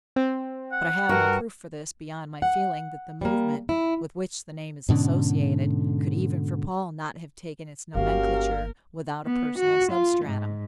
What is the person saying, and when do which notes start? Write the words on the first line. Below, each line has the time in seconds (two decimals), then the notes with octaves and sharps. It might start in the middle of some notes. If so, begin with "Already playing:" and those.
But I have no proof for this beyond my feeling that the movement with which the name is associated could even for Paul not have taken its nomenclature without a personal substratum.
0.16 C4
0.72 F#5
1.09 G2 F#4 A#4
2.42 F#5
3.21 G3 A#3
3.69 E4
4.89 G#2 B2 D3 C#4
7.95 G1 A#3 C#4 F#4 G4 A#4 F5
9.25 B3
9.59 F#4
9.92 F4
10.25 G#2